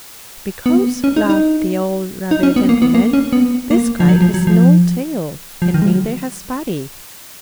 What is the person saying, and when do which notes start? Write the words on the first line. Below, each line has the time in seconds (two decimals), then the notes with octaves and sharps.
"Because," laughed the old rabbit gentleman, "this kite has no tail and neither has Buddy."
0.66 B3
1.04 C#4
1.16 D#4
1.30 D#4
2.31 D#4
2.43 C#4
2.56 B3
2.69 A#3
2.82 B3
2.95 A#3
3.13 C#4
3.33 B3
3.71 A#3
4.00 F3
4.09 F#3
4.22 F3
4.34 F#3
4.47 F3
5.62 F3
5.74 D#3
5.82 G#3
5.87 F#3